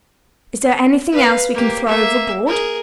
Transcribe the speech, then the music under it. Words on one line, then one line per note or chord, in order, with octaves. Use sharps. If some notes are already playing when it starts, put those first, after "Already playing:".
"Is there anything else we can throw overboard?"
B4 F5
A#3 G4
A#3 E5
G#4 A#4